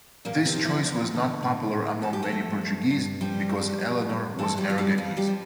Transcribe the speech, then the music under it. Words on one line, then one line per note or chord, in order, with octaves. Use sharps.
This choice was not popular among many Portuguese, because Eleanor was Aragonese.
E2 A#2 A#3
C3 C4
F3
E3 E4
E2
D3
A2
A2
F3 A4
G4
A3 A4
F3
G2
G2
F3 G3 G4
F3
G2
G2
E3 A3 A4
G3 G4
E3 F4
G3 G4
F2 F3 F4
G3 G4
F3